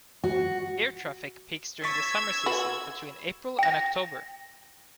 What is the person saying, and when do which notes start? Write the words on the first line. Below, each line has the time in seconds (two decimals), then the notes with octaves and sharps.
Air traffic peaks during the summer season, between April and October.
0.24 F#4
1.84 C#6 E6 G#6 A6 B6
2.46 F#4 B4
3.59 G5 A#6